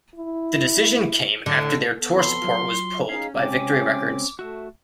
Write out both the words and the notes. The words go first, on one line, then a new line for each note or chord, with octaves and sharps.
The decision came after their tour support was pulled by Victory Records.
E4
A2 D3
B3 A4
F2 B5 C6
F#3 F4
C#4 D#4 G#4 F5 C7
C#2 C3 C4 C#4 D6
A3 F#4 E5